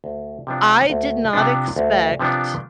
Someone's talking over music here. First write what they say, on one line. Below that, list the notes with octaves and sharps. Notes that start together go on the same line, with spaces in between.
I did not expect
D2
C3 F3 B3 D4
D2
C3 F3 B3 D4
D2
C3 F3 B3 D4